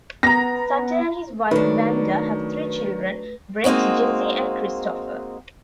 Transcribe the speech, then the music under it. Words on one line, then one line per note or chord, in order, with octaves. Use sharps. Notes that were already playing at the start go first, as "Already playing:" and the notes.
Sutter and his wife Wanda have three children, Brett, Jessie and Christopher.
B3 A#5 A#6
D#3 F#3 A3 D4 B4
G#3 A#3 C4 D#4 F#4